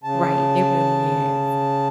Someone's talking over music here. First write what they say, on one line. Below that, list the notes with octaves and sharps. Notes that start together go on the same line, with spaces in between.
Right, it really is,
C#3 A5